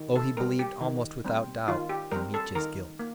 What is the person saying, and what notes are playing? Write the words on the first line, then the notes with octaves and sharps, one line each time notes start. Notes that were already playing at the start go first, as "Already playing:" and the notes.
Oh, he believed almost without doubt in Mitya's guilt.
Already playing: D#3
A4
G3 C4 A#4
G4
D#3
G3 C4
D#3 F4
G4
G3 C4 A#4
A4
D#3 A#4
A#3